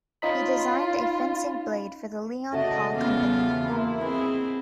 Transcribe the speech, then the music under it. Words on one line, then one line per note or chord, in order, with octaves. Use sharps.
He designed a fencing blade for the Leon Paul company.
C#4 D#4 F4 B5
C#3 A3 F#4 D5 D#5 A5
E2 C#3 E3 B3 F4 D6
A#3 E4 C6
C4 G#4 B4 D#5 G#5